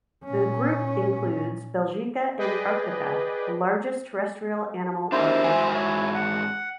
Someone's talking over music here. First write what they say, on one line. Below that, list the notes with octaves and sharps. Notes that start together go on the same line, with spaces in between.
The group includes "Belgica antarctica", the largest terrestrial animal of Antarctica.
A#2 C#4
G#4 B4 D5 D#5 G5
D4 E4 G4 A#4 C5
G#2 F#4 G#5
E4 C#5
F#5